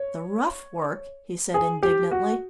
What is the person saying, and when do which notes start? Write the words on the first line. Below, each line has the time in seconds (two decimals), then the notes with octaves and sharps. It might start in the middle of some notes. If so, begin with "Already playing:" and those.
"The rough work!" he said indignantly.
Already playing: C#5
1.54 G#4
1.83 G4
2.11 F#4